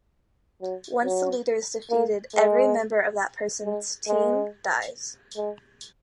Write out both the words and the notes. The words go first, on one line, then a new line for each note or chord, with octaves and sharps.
Once the leader is defeated, every member of that person's team dies.
F#3
F#3
A#3
G#3
G#3
G#3
G#3